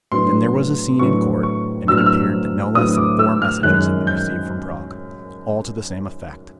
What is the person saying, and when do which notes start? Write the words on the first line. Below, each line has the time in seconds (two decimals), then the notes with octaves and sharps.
Then there was a scene in Court, and it appeared that no less than four messages had been received from Prague, all to the same effect.
0.11 A2 F#3 B3 D4 C6
0.99 A2 F#3 B3 D4 C#6
1.43 C#6
1.87 A2 F#3 B3 D4 E6
1.97 F6
2.06 E6
2.75 A2 F#3 B3 D4 D#6
2.97 D6
3.19 E6
3.42 F6
3.63 F#2 D#3 G#3 F#6
4.07 G6